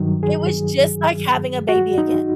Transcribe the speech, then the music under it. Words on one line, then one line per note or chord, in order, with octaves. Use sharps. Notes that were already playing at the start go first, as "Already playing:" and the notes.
It was, just, like having a baby again.
Already playing: G2 D#3 F#3
G#4
F#4
D#4